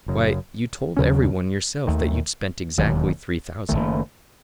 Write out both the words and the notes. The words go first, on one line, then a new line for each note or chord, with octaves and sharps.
"Why, you told every one yourself that you'd spent exactly three thousand."
F#1 F#2 C#3
D#2 C#3 F#3 C#4
D#2 D#3 A3
E1 D#2 D#3 F#3
F#1 E2 D#3 A3